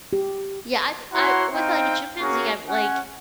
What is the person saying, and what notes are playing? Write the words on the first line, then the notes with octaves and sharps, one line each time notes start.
Yeah, I've I with, like, a chimpanzee, I'm, like,
G4
E4 F#4 C#5 F#5 A#5 C6
C4 D#4 F5 G5
A#3 C#4 F#4 G#4 A#4 C#6
C#4 F#5 G#5